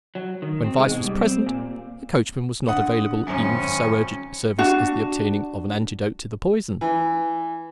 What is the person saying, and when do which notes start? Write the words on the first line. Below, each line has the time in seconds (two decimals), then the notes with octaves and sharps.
When Weiss was present, the coachman was not available even for so urgent a service as the obtaining of an antidote to the poison.
0.15 F#3
0.42 D#3
0.64 C4
0.77 G#3
0.90 B2
1.04 G3
1.22 C4
1.46 A#2
2.68 D3 F#5 D#6
3.27 G#1 F#2 C#4
4.58 D4 F#4
6.81 E3